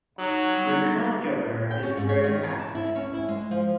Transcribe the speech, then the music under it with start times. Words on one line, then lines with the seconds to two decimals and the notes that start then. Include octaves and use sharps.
The current Governor is Greg Abbott.
0.19 F#3 D#4 F#4
0.54 G3 B3 D#4
1.71 G5
1.83 C#4
1.97 G#2
2.09 C#5
2.24 D#3
2.41 E3
2.59 A5
2.75 E4
2.95 C#4
3.14 E4
3.29 G#3
3.51 F3